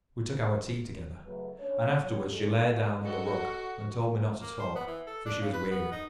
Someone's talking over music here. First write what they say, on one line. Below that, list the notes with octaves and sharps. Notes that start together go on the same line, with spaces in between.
We took our tea together; and afterwards she lay down on the rug, and told me not to talk, for she was weary.
F#2 C#3 F#3 A3 B4
C#4 D4 C#5
F#3 C#5
G#3 C#4 A4
F#4 A4 D#5
A#3
C5
B3
E3
A4
D4
C#3
B4
B3
D#4